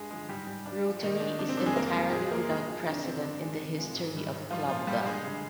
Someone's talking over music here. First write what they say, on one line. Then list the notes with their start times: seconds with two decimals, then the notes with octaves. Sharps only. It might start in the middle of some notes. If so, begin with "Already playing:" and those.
Rotary is entirely without precedent in the history of clubdom.
Already playing: G2 G#3 G#4
0.10 D3 F3 G#3 G#4
0.29 G#2 G3 G4
0.47 G3
0.66 G2 D4
0.85 F3 G#3
1.02 A#2 D#3 D#4
1.20 G#3 D4
1.39 C3 D4
1.49 C4
1.57 D#3 G3 D4
1.66 G#3 G#4
1.76 F2 A#3 A#4
1.94 D#3 G3
2.09 G4
2.12 A#2 G#3 G#4
2.31 F3 G#3 A#3 A#4
2.49 G2 G#3 G#4
2.68 F3 G#3
2.86 C3 D4
3.04 F3 G#3 C4
3.22 G2 D4
3.42 D#3 G#3
3.59 C3
3.78 F3 G#3
3.96 G#2
4.15 D#3 G3
4.32 G#2
4.50 F3 G3 F4
4.69 A#2 F3 F4
4.87 G3 G4
5.00 G4
5.05 G2 G#3 G#4
5.24 D3 G3